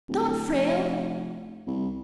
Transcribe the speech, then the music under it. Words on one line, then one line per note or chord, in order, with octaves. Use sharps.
Don't, Frale.
D1
F1
C2